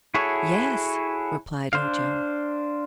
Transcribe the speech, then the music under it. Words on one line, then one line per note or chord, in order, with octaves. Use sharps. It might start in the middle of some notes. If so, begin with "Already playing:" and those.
"Yes," replied Ojo.
E4 F#4 G#4 A4 C#5
D4 C5 F5